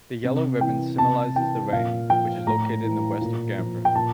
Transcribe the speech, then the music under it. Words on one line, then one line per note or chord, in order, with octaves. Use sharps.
The yellow ribbon symolises the Rhein, which is located in the west of Gamprin.
C3
E3 G5
C3 A5
E3 G5
A#2 F5
F3 G5
A2 A#5
E3
A#2
F3
G5
A#2 A5